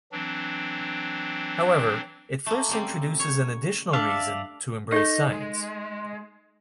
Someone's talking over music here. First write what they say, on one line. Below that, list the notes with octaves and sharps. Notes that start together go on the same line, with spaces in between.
However, it first introduces an additional reason to embrace science.
E3 F#3 C4 D4
A3 A#3
C#3 G3 C4
C#5
D4 D5 E5 F5
D#4 A4 D#5
G#3